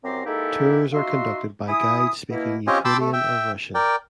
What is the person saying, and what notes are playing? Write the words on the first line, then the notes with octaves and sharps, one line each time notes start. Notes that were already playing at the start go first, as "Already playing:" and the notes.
Tours are conducted by guides speaking Ukrainian or Russian.
C2 F#2 C4 A#5 C6 D6
G#3 A#3 D#4 E4 G4 A4
D#4 F4 F#4 E5 C6
E4 G#5 B5 D#6
B2 A#3 E4
C4 C#4 F4 G4 D#5 G#5
G5 A5 B5 C6 D6 E6
A3
E5 G5
A#4 D5 G5